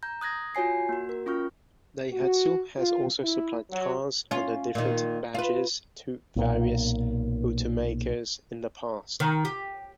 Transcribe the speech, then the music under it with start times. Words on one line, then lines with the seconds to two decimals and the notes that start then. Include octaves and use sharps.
Daihatsu has also supplied cars under different badges to various automakers in the past.
0.03 A#5 G6
0.21 D#6 F#6 G#6 A#6
0.55 F4 F#4 C#5 G#5 C7
0.89 A#3 F#4
1.09 A#4
1.26 C#4 F4 C#6 F6
2.12 F#4
2.78 F4
3.24 E4
3.71 F#3
4.31 C#4 F4
4.75 A#2 D#3
5.35 F4 B4
6.36 B1 A#2
9.20 D#3
9.45 G4